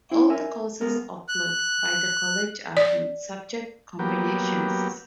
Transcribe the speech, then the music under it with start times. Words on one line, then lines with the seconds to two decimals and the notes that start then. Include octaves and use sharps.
All the courses offered by the College are in subject combinations.
0.11 E4 C5
0.30 A#4 E5 G#5
0.81 G#3 B3 A#4
1.28 F#6
2.77 D5
3.99 F#3 A#3 B3 G4